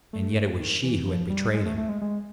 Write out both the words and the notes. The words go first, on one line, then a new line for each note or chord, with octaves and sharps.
And yet it was she who had betrayed him.
A3
D#3
E3
F3
G3
G#3
A3
A3
G#3
G#3